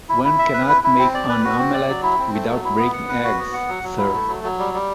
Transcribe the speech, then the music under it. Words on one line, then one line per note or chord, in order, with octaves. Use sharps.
One cannot make an omelette without breaking eggs, sir.
E4
E4
E5
B4
E4
E4
C4
D5
B4
F#4
C4
D5
F#3
E4
C4
A3
F#3
E4
B3
F#5
B4
F#4
B3
F#5
F#3
F#3
E4
A3
F#3
F#3
G3
G3